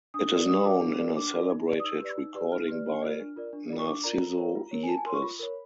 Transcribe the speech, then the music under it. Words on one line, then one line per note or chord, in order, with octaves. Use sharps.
It is known in a celebrated recording by Narciso Yepes.
D4 D#6
F#4 A#4 D5
D4 D#6
F#4 A#4 D5 D6
D4
F#4 A#4 D5
D4 D6
F#4 A#4 D5
D#4
G4 B4 D5
D#6
D#4 E6
G4 B4 D5
D#4
G4 B4 D5
D#4 F6
G4 B4 D5
D4
F4 A#4 D5
D4
F4 A#4 D5
D4
F4 A#4 D5
C#6
D4 D6
F4 A#4 D5 A#5
F4
A#4 C#5
F4
A#4 C#5
G#5
F4 A5
G#5
A#4 C#5 C6 C#6
F4 B5
A#4 C#5